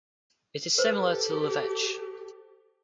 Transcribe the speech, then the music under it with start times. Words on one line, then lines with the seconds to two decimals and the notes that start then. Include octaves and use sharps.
It is similar to the Leveche.
0.78 G4 A4 B4 C5